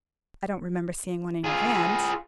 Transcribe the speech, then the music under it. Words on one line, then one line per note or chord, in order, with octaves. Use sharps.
"I don't remember seeing one in your hand."
F4 G#4